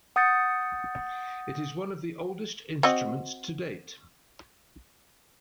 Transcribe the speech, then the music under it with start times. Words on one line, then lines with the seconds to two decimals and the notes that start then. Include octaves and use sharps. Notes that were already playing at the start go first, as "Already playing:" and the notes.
It is one of the oldest instruments to date.
0.16 F#5 D#6 G6 A6 C#7
2.83 C4 F#4 D#5